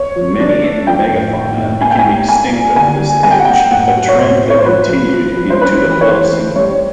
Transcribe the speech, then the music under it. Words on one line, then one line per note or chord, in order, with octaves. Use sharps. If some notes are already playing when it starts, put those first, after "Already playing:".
Many megafauna became extinct over this age, a trend that continued into the Holocene.
Already playing: C#5
F3
D4 D5
A3
F3 G5
A2
A2
A2
A#3 G#5
G5
G#5
G3
A#3 G#5
A#2
D3 G#5
G3
G3 G#5
G5
F#5
A#3 G5
A2 F#5
F#3
C#5
A2 C5
A2
C#5
C5
F3 B4
F3
F3
F3
C5
C#4 B4
E3
C#5
E3 C5
A3
G3 C#5